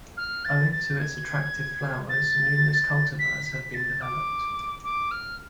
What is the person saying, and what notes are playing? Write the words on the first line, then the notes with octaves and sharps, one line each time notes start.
Owing to its attractive flowers, numerous cultivars have been developed.
F6
A6
A6
G#6
A6
B6
B6
A6
D6
D6
F6